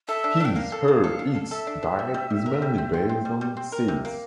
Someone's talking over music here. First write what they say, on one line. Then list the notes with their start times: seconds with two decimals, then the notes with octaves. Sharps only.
His/her/its diet is mainly based on seeds.
0.08 A4 E5
0.24 D4
0.40 D4 G5
0.56 A#3 F5
0.72 A4
0.88 A#3
1.04 A4
1.19 D4
1.35 A4
1.50 A4 E5
1.67 D4
1.83 D4
1.99 G3
2.14 G3
2.30 G3
2.46 A#4
2.62 G3
2.78 C4
2.94 C4
3.09 C4
3.25 G3
3.41 G3
3.57 C4
3.72 A#4
3.88 C3
4.05 A#3